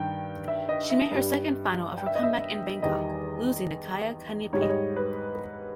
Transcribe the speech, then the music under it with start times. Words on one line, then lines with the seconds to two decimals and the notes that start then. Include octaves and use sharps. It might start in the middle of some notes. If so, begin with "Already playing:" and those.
She made her second final of her comeback in Bangkok, losing to Kaia Kanepi.
Already playing: G2 D#3 G5
0.48 E5
0.69 D#5
0.90 E5
1.11 G2 G3
1.98 G5
2.06 E5
2.15 D#5
2.23 E5
2.82 E2 D#3 G3 D#5
4.53 G#2 G3 C#5
4.62 D#5
4.69 C#5
4.96 B4